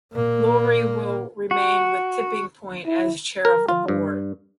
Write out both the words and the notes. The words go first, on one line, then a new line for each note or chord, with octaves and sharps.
Lurie will remain with Tipping Point as chair of the board.
A#2 A#3
F#4
E4
A#4
F4
G2